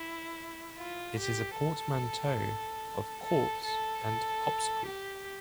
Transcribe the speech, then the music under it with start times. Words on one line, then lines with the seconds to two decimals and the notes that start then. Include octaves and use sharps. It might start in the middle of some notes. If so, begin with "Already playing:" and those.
It is a portmanteau of "corpse" and "popsicle".
Already playing: E4
0.78 F4
1.19 G4
1.59 A4
3.23 A4
3.64 A4
4.04 A4
4.86 G4